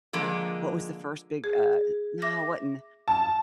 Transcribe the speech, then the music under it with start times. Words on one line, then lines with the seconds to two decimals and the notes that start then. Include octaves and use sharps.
what was the first big, uh no, it wasn't
0.13 D3 F3 G#3 A#3
1.44 G#4
2.22 E5 D6 A#6
3.08 A5